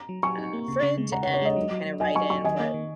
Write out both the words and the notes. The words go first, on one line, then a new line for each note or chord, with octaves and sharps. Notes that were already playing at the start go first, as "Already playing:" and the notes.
uh, fridge, and we kinda write in what
Already playing: A#5
F#3
F#3 G#5 C#6
D#4
A#3
C#3
C#3
G#3
C#3 F#5 A#5
C#3 C#5 F#5
C#5
G#3 D#5
F#3
F#3
F#3
F#3 D#5 G#5
F#3 G#5 C#6
F#3 G#5 C#6
D#3 D#5 G#5
A#3
D#3